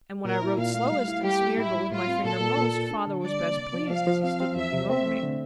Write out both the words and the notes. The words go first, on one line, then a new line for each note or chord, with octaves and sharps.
And when I wrote slowest and smeared but with my finger most, father was best pleased, as he stood looking over me.'
A#2 A#4
E4
A#2 F5
A3
G3
E4
G3 G4
A#3
A2 E4
G3
A2 F4
C4
A#2 A4
A#2
A#2
F4
D4
D3
G3 D5
A#3
C3
F3
F3 F5
F3
C4 F5
C4
E2 E5
C3
C4 E5
A3
D3